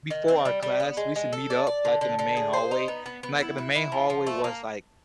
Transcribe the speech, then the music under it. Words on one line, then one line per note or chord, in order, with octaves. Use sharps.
before our class, we used to meet up, like, in the main hallway, and, like, in the main hallway was, like,
D#3
C4
G3
G3
B3
G#3
G#3
A4
D5
D5
D3
D3
D3
G#4
C5
D#4
B3
B3
B3
E4
B4
E4
F3
F3
A3
A#3